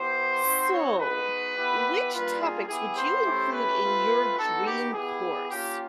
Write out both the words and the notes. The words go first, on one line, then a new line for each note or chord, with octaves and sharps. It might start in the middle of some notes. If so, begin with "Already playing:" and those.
So, which topics would you include in your dream course?
Already playing: B3 E4 G4 C5
C4 D#4 F#4
C#5
G#3 B3 D#4 F#4 B4
B3 E4 G4
G3 A#3 D4 F4 B4
G#4
B3 E4 G4 G#4
C5
A3 C#4 E4 G4
B4
A3 C4 F4
B3 D#4 F#4 A4
G4
B3 E4 G4 G#4
A#3 C#4 F4 G4